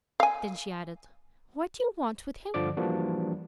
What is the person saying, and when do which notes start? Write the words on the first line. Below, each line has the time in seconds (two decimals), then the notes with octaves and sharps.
Then she added: "What do you want with him?"
0.20 F5 G#5
2.54 G2 D3 F3 D5 D6
2.77 E3 F3 G3 A#3 D4 F#4